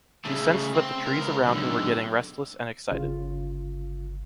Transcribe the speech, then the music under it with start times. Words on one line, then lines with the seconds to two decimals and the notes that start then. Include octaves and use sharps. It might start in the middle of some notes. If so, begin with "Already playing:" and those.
She sensed that the trees around her were getting restless and excited.
0.25 C#3 A3
0.75 C4
1.07 C#2 A#4
1.47 B1 D3
2.92 G1 C#3 F4